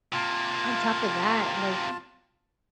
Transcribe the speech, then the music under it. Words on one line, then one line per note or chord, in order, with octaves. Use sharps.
On top of that, like,
C3 A#3 F4 A5